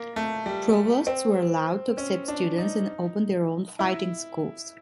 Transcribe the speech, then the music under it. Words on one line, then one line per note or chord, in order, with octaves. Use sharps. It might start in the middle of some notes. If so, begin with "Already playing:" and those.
Provosts were allowed to accept students and open their own fighting schools.
Already playing: A#3
A3
G3
C4
C#4
D4
D#4
E4